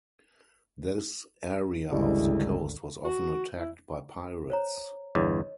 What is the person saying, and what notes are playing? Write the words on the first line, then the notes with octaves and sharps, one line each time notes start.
This area of the coast was often attacked by pirates.
G#1 D2 C#3 G3 G#3 E4
F#4
E4
C5 C#5 A#5
G1 E2 C#5 D#5